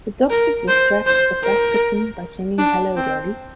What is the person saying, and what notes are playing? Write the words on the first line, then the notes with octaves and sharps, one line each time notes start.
The Doctor distracts a Pescaton by singing Hello, Dolly!
A#4
C5
C5
A#4
D4
C4